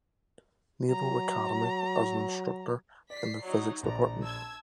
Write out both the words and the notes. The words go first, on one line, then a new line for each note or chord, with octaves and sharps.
Naval Academy as an instructor in the Physics Department.
F#3 A#5
D5 B6 C7
F#3 D#4
A#1 D5 A#5
A5 E6 G#6